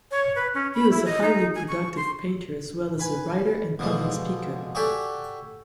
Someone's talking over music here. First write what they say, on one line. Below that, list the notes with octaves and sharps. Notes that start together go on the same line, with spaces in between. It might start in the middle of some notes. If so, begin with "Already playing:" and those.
He was a highly productive painter as well as a writer and public speaker.
C#5
B4
C#4
B5
E4
D#5
D#4
G#5
C#6
C6
B4 G#5
B2 D3 F3 G#3
F#4 G4 A4 D5 E5 G#5